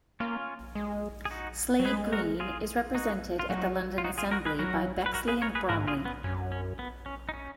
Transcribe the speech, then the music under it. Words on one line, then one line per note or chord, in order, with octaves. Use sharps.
Slade Green is represented at the London Assembly by Bexley and Bromley.
A#3 C#4 F4
G#3
G#4
D#4 F#4
F#3
G#3 G#4 B4
F#4 A#4
F4 G#4
D#4 F#4
F4
F#3 D#4 F#4
F4
D#4 F#4
F4 G#4
F#4 A#4
G#4 B4
F#3 F#4 A#4
B4
F#4 A#4
G#4 B4
A#4 C#5
G#4 B4
G#2 F#4 A#4
F4 G#4
B3
F#2 C#4
C#4
B3
C#4
D#4
C#4